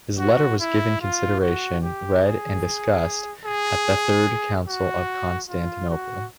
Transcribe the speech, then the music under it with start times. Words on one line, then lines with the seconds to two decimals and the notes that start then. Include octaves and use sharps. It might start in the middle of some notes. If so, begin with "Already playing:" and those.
His letter was given consideration, read and discussed at the Third Council of Constantinople.
0.19 F#4
0.60 E4
1.01 F4
1.41 F#4
1.83 G4
2.23 G#4
3.45 G#4
4.67 F#4
5.49 F4
5.90 F#4